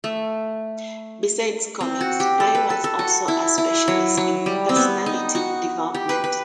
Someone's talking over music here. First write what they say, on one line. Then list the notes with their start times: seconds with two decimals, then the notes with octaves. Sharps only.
Besides comics, Pai was also a specialist in personality development.
0.04 A3
1.81 C4
2.01 F#4
2.20 G4
2.40 A4
2.55 B4
2.70 A4
2.84 A4
2.99 F#4
3.28 E4
3.58 E4
3.88 F#3
4.17 F#3
4.46 G3
4.69 C4
4.76 B3
5.06 D#4
5.35 F#4
5.94 G4
6.09 B4
6.24 B4